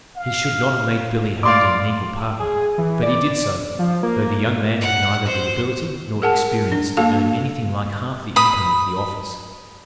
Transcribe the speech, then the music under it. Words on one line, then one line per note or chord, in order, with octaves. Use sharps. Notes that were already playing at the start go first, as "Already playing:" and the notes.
He should not have made "Billy" Herndon an equal partner, but he did so, though the young man had neither the ability nor experience to earn anything like half the income of the office.
F5
D5 F5 C6 D6
G#4
E3
D5
F3
A#3
F#5
C5
G#4 A#4 F#5 G#5 A5
D4
A#3 F#4 A4 F5 A5
B5 D#6